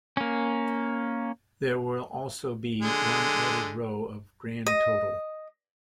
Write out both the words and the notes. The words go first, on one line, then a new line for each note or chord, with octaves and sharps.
There will also be one added row of "Grand Total".
A#3 C#4
D3 G#3
D#5